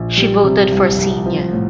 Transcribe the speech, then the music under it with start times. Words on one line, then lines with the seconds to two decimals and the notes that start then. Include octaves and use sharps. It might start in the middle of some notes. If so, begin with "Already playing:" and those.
She voted for Xenia.
Already playing: A#1
0.17 G3
0.44 C3
0.71 C2
0.98 C2
1.26 F3
1.53 A2